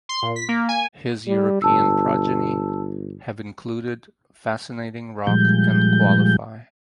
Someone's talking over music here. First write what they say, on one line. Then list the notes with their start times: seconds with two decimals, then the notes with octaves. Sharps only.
His European progeny have included Fascinating Rock and Qualify.
0.09 C6
0.22 A#2
0.36 B6
0.49 A#3
0.69 G#5
1.27 G3
1.62 G1 A5 E6
5.27 A#2 F3 G3 G#3 G6